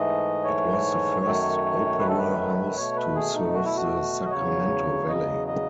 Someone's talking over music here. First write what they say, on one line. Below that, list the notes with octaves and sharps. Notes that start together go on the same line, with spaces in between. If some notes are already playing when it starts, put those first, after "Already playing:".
It was the first opera house to serve the Sacramento Valley.
Already playing: G#2 E3 A3 D#5
C#5
F#2 D#3 F#3 A3
B4
A4
B4
B2 A3 C#5
B4
G#4
D#4
F#4
E4
F#4
D#5
E2 C#3 F#3 C#5
D#5
D#5